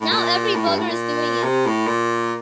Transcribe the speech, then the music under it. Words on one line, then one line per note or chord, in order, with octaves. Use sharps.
Now every bugger's doing it.
A2
A#2
A2
G2
A2
A#2
C3
A2
A#2